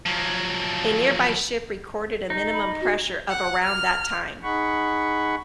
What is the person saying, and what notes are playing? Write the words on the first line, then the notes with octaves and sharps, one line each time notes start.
A nearby ship recorded a minimum pressure of around that time.
F3 F#3
D#4
B5
F#4
F#5
F6
D#4 G#4 F#5 B5 C#6